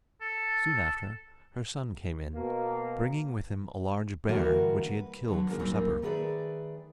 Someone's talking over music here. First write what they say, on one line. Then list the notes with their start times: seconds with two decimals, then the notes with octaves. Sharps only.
Soon after her son came in, bringing with him a large bear, which he had killed for supper.
0.21 A4
2.35 B2 A#3
4.29 D3 E3 G3 A#3 F#4 A#4
4.86 B4
5.28 D3 F#3
5.47 D#3 G3 G#3 A#3
5.59 F#2 A#2 G3 A#3 C4 D#4
6.02 D#3 A3 G#4 B4 D5